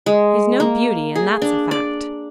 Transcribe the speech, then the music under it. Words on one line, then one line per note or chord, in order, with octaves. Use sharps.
"He's no beauty, and that's a fact."
G#3
A#3
G#4
D4
D5